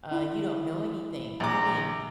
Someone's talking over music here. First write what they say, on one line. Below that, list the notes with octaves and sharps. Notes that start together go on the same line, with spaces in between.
uh, you don't know anything. I mean,
E4
A#1 A#5 D6